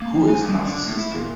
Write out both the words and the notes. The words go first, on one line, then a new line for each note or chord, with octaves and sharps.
Who is narcissistic?
A#3
F3
G#5
D#2
D3
A2
E4
A#2